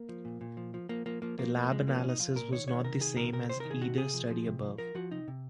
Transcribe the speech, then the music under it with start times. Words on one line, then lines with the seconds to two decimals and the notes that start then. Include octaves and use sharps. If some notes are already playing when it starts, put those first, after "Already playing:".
Their lab analysis was not the same as either study above.
Already playing: A#3
0.09 F3
0.25 A#2
0.41 A#2
0.57 F3
0.74 F3
0.89 F3 A#3
1.06 F3 A#3
1.22 F3 A#3
1.38 F3 A#3
1.55 F3 A#3
1.71 F3 G#3
1.87 F3 A#3
1.98 C#4
2.03 A#2
2.09 D#4
2.20 F3 F4
2.36 A#2 A#4
2.52 D#3 C#5
2.68 D#3 C#5
2.84 C3 A#4
3.00 D#3 G#4
3.16 C3 A#4
3.33 C3 A#4
3.49 C3 C5
3.60 D#3 A#4
3.70 G#4
3.81 C3 F#4
3.98 C3 G#4
4.14 F3
4.30 F3
4.46 C3
4.62 F3
4.78 F3 A#4
4.95 F3 F#4
5.11 C3 D#4
5.28 C3